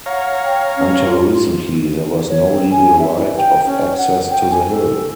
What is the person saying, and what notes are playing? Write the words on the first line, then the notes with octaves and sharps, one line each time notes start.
Until recently there was no legal right of access to the hill.
C#5 F5 F#5 A#5
G5
C#4
F4
C#5
C4
G#5
E5
E4
G5
C#4
F#5
G5
G#5
A4